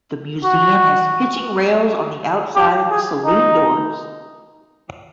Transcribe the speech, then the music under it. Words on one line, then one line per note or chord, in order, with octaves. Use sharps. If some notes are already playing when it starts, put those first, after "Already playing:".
The museum has hitching rails on the outside of the saloon doors.
F#4
G4
G#4
D#4